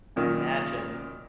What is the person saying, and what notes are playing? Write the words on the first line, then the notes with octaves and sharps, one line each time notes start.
I imagine
F#2 A#2 D#3